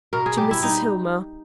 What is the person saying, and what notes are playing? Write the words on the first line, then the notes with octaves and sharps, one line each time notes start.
"To Mrs. Hillmer."
B2 A#4
G#4
G3 G4
E4
G3 D#4